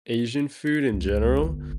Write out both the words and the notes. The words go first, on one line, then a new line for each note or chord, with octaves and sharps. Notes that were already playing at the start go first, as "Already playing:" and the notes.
Asian food in general.
C#2
G1